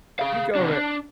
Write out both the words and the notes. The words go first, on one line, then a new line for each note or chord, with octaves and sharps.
you go to
G#4 F5
C3 D4
D4